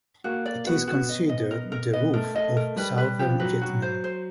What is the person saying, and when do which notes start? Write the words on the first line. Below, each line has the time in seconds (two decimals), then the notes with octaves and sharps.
It is considered "the roof of Southern Vietnam".
0.24 A#3 F#4
0.46 D5
0.67 B3 F#4
0.87 F#4
1.09 D#5
1.29 D#5
1.51 A#4
1.72 A#4
1.93 B3 D#5
2.14 A3 A#4
2.35 A3 D#5
2.57 A#4
2.76 G3 B4
2.98 B4
3.19 F3 G4
3.40 F#3 B4
3.61 F#3 F#4
3.82 C5
4.04 C5